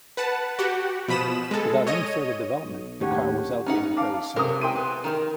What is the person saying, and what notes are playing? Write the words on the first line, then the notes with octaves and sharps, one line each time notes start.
Without any further development the car was outdated very soon.
B4 F#5 A5
F#4 G4 F#5
B2 F3 B5 D#6 E7
G#3 A4
C#5 D#5 D#7
B1
D#2 A2 C#4 D4 G4 C#5 F#5
C#4 D#4 F#5
F5 A5 D6
C3 G#3 C#4 A#4 D#6
E4 G5 C6 D#7
B3
D#3 A#4